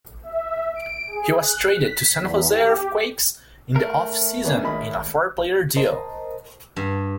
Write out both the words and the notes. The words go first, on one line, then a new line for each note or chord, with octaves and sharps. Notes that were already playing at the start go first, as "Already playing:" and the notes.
He was traded to San Jose Earthquakes in the off-season in a four-player deal.
E5
D7
G#4
F#6
B6
E2
G4
A3 A#4
B3 C#4 D4
G#1 D#5 B5
A#4 C5 D#5 A5 A#5
G2